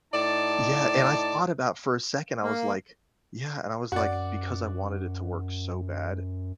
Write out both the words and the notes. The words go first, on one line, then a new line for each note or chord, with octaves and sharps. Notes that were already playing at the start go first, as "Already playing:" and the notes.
Yeah, and I thought about, for a second, I was like Yeah. And I was like, because I wanted it to work so bad,
A2 D#4 D5 A5
A#3
F#2 F#4 D5